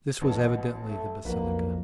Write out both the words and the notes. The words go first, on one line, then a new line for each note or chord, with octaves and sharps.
This was evidently the basilica.
A1 B2 A5
A3
B1 F2 A#3 F#4 B4